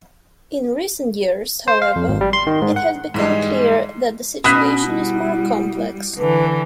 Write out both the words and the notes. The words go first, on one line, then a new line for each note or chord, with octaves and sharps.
In recent years, however, it has become clear that the situation is more complex.
C5
F5
F2
G#1
G3
C6
D#3
G#2
F#5
G#2 E3 G3 G#3
B2 C#4 D#6 F#6 B6
G3 E4
D3 E3 B4